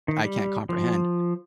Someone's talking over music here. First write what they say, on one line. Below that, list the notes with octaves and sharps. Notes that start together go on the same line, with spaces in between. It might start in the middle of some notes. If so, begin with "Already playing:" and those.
I can't comprehend.
D#3
G3
F3